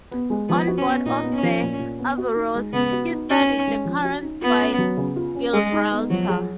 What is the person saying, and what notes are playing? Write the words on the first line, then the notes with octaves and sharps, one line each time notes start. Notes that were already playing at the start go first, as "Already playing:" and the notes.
On board of the "Averroes", he studied the currents by Gibraltar.
B3
G#3
F3 B3
F#4
C#4
B3
A#2 D#4
B3
C#4
F3
A#2
A#2
B3
F#4
D#4
G#3
C#3 B3
F#4
D#4
C#4 F#4
D#4
G#3
F3
F#4
D#4
B3 F4
C#4
F#3
C#3
F4
C#4
G#3 G#4
D#4
B3
F3 F#3
G#4